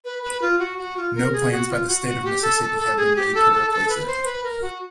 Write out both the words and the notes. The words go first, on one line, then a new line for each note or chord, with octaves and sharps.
No plans by the State of Mississippi have been made to replace it.
B4
B4
F4
F#4
F#4
F4
A#4
G#4
F#4
F4
F#4
F#4
G4
A4
A4
A4
G#4
G4
A4
A4
A4
B4
C5
B4
A#4
F#4